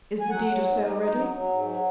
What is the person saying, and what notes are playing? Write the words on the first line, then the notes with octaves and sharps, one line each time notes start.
"Is the deed of sale ready?"
G#5
F#3 F#5
F#3
G#2
D#4
D#4
F#3
F#3
G#2
F#3